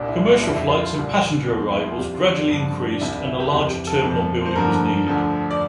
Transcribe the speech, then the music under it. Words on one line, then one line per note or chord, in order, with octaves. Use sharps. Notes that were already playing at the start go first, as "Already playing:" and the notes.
Commercial flights and passenger arrivals gradually increased and a larger terminal building was needed.
Already playing: C2 A#2 G3 D4
E4
F4
F2 D3 G3 E4
E4
F4
E4
F4
C2 A#2 G3
E2 C3 F3
E4
F4
F2 C3 G3 G4
F4
D4
G2 D3 F3
D4
C2 C3 G3 E4
E4
E4
G4
F2 C3 E3 G4
G4
A4
F2 C3 F3
C5
G2 D3 F3 A#4
D2 D3 F3
D5